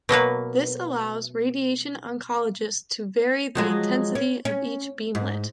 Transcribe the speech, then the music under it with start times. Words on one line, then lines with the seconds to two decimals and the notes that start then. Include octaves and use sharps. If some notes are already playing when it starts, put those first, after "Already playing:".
This allows radiation oncologists to vary the intensity of each beamlet.
0.09 B2 F#3 A#3 B4
3.55 F3 F#3 G#3
4.15 C#4
4.45 C#4
5.15 G#2